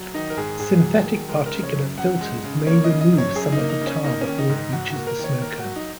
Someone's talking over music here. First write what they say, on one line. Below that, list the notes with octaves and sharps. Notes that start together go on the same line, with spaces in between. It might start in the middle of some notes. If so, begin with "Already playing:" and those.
Synthetic particulate filters may remove some of the tar before it reaches the smoker.
Already playing: F#3
D#3 D#4
A#4
G#2 G#4
G#2 G#4
F#3
D#3
G#3 A#4
A#4
C#3
C#5
F#2
F#2 F#5
G#3
C#3
A#3 C#5
D#5
C#3
D#5
F#2
C#5
F#2 G#4
D#4
A#3
D#4
C#3
C#4
A#3 D#4
C#4
D#3
D#4
G#2
D#4
G#2 F#4
F#4
A#3
A#4
D#3 C#5
A#3 A#4
F#4
F#3
D#4